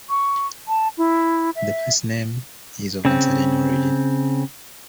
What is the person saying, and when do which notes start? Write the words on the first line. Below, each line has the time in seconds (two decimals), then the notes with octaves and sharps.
The placename is of uncertain origin.
0.10 C#6
0.68 A5
0.98 E4
1.56 E5
3.05 C#3 C4